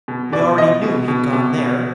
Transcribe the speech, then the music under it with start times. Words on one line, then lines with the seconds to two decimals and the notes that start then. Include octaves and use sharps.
"We already knew he'd gone there."
0.08 B2
0.32 B2 D5
0.58 B2 D#5
0.83 B2
1.08 B2
1.33 B2
1.58 B2